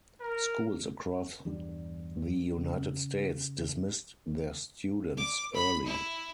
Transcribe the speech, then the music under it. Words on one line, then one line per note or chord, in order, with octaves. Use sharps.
Schools across the United States dismissed their students early.
A#4
E2 G2 G3 D4
C#3
D6
B5
E4